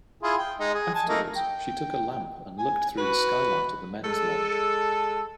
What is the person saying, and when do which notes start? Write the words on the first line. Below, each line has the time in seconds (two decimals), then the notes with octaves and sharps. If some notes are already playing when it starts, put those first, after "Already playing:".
Afterwards, she took a lamp and looked through the skylight of the men's lodge.
0.23 E4 F4 G#4
0.39 G5
0.59 G#3 D#4
0.74 G#4
0.95 G#5 A5
1.08 A3 A#3 D#4
1.35 G5
2.58 G#5
2.98 F#4 B4
4.03 G#3 A4